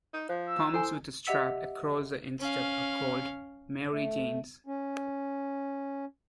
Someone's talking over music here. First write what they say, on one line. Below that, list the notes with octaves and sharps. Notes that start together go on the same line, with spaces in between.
Pumps with a strap across the instep are called Mary Janes.
D#4
F3 C5
E6
E4 A4 C5 G#5
G4 D#5 E5 F#5 E6 B6
C#4 F5
A3
C#4